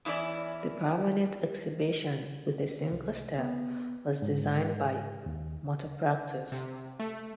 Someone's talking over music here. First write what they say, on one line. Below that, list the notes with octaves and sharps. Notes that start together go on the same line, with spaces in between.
The permanent exhibition, "With a Single Step" was designed by Matter Practice.
E2 E3 C#4 E4 D5
C2
B3
G#2
D#2
C3
A3